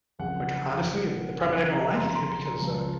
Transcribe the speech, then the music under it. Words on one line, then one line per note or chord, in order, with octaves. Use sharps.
Like, honestly, the they're probably not gonna like it here because, uh
F#1 F2 C#3 F#5
F#1 F2 C#3
F#1 F2 C#3 G#5
A#5
C6
F#1 F2 C#3 A#5
C6
A#5
A#5
C#2 C#3 F3 G#3